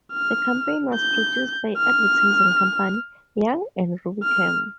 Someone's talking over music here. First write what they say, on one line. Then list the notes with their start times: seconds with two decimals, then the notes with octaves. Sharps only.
The campaign was produced by advertising company Young and Rubicam.
0.13 F6
0.95 G6
1.78 F6
4.23 F6